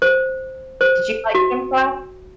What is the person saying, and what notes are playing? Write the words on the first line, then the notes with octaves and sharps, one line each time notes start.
Did you like gym class?
C5
C5
F#4